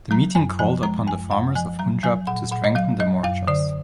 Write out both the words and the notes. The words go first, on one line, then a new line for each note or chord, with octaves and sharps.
The meeting called upon the farmers of Punjab to strengthen the morchas.
F#3 A#5
F#2 G#5
F3 G#5
G#3 A#5
F#2 G#5
F#2 F#5
F3 G#5
F#3 A#5
F#3 G#5
A#2 F#5
A#2 F#5
D#5
F#3 F5
F#3 D#5
F#2 F5
D3 D5